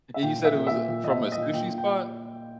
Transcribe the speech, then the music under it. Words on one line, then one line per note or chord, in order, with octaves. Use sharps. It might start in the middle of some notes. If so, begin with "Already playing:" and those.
And you said it was, uh, from a sushi spot?
E5
A#2 G5
A#2
E5
A#2
A#2 E5
A#2
A#2 D#5
E5
A#2
D#5
A#2
A#2 G5
A#2
G5